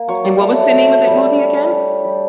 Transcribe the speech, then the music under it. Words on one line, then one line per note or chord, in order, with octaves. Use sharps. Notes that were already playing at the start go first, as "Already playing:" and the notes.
And what was the name of that movie again?
Already playing: A#3
F#3 C#5
D5
A3 C#5
A3
G3
G3
D4 C#5
G3